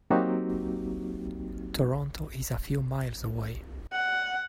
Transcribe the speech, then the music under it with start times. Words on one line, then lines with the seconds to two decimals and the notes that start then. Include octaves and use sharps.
Toronto is a few miles away.
0.10 F#3 A#3 C4 D#4 F#4 G4
3.92 F#5